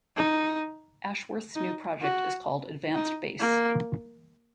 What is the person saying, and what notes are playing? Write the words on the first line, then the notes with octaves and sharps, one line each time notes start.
Ashworth's new project is called Advance Base.
D#4
D#4
F#4
D#4
A#3